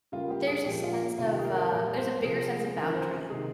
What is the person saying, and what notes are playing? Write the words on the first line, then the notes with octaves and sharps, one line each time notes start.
But there's a sense of, uh there's a bigger sense of boundary.
C#3 G3 A#3 F4
G4
G#4
A#2 F3 G#3 G4
F4
C3 D#3 A#3 F4
G4
G#4
A#4
A#4
A#2 G3 A#3 C#5
C5
C3 F3 A#3 G#4
C#3 F3 A#3 A#4
C5
C3 D#3 G#3 G#4